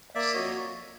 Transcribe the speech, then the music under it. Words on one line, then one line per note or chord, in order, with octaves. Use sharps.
I see.
A#3 D5 E5
F#4 C#5 D#5